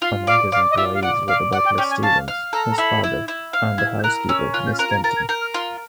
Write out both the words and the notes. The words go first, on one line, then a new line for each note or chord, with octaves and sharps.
Among his employees were the butler Stevens, his father, and the housekeeper Miss Kenton.
F4 F5
D5 F5
D5 F5
D#5
F4 E5
F5
D5 F#5
D5 F5
D5 F#5
G5
C#4 G5
G#5
F5 A5
F5
A4 A#5
A#5
E4 B5
E4
E4
F5 F6
E4 G#6
G6
A#4 F#6
C#4 E6
F4 F#6
G6
F6
A#4 F#6
G#6
A#4 A6
G#6
A#4 G6
F6
F4 C6